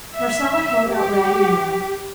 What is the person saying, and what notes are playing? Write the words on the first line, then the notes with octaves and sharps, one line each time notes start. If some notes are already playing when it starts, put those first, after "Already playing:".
Marcella held out Raggedy Ann.
E5
G4